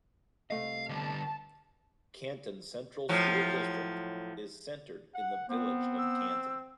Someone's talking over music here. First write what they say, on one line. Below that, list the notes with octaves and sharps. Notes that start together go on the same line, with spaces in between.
Canton Central School District is centered in the village of Canton.
C2 A3 D#5 F5
D3 G3 A5
A2 F3 F#3
F#5
B3 C4
E6